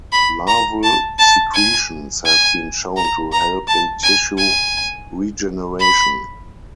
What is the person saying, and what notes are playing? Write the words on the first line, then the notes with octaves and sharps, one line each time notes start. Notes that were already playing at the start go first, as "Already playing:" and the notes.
Larval secretions have been shown to help in tissue regeneration.
B5
A#5
A5
A5
G#5
G#5
A#5
A#5
A5
G#5
G#5
B5